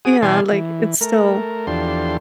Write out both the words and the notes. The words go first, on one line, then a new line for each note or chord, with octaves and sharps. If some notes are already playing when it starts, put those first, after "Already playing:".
Yeah. Like, it's still
F#4 G#4 D#6
B2 E3 D5 G#5 A5 C6
E3
A3 A#4
E2 F3 D4 G4 A4 C6